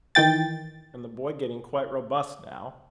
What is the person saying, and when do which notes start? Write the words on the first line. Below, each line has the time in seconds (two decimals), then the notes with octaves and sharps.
And the boy getting quite robust now!
0.15 D#3 E3 G5 A6